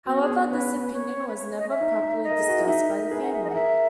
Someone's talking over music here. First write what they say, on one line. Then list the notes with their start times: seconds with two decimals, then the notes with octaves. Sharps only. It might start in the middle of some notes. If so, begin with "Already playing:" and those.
However, this option was never properly discussed by the family.
0.06 B3 F#4
0.21 G#4
0.28 B3
0.50 C#4 B4
0.93 C#5
1.28 B4
1.37 C#5
1.59 D#5
1.70 E5
1.81 D#4
2.02 D#4
2.24 D#5
2.30 A#4
2.40 G#4
2.49 F#4
2.59 E4
2.67 D#4 E5
2.89 A#4
3.11 G#4 B4
3.22 F#5
3.33 E5
3.44 D#5
3.50 F#5
3.55 A#4 E5